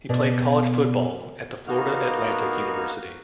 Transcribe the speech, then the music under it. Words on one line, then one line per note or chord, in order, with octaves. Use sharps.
He played college football at the Florida Atlantic University.
B2 D5
A#3 B3 D#4 F#4 F6